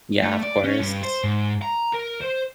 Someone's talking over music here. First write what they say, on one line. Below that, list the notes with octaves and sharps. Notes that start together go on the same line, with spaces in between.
Yeah, of course.
A3
D5
C#4
G2
C5
G#2
A#5
A#4
C5